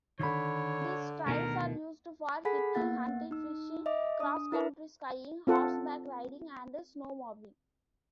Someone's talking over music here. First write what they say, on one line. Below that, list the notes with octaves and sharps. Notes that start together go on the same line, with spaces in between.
These trails are used for hiking, hunting, fishing, cross-country skiing, horseback riding and snowmobiling.
D3 D#3 C#5 B5
D2 B2 D#3 A#4
G#4 A4 F#5 G#5 B5 B6
A#3 B3 F#5 A6
D#4 E6
D#5 E5 D6
D4 D#6
E4 A#4 B4 E5
C4 F4 A4 F#5